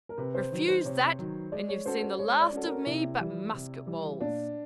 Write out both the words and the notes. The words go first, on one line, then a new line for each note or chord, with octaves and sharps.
"Refuse that, and you've seen the last of me but musket-balls."
A#4
C3 B4
C5
D#3 F#3
C5
C3 C#5
D#3 F#3
G#3 D5
C#5
C#4 F#4 A4 C5
C5
G#3 C#5
D5
C#4 F#4 A4
A#4
C3 E4
E3 G3
C3
E3 G3
A#2 D4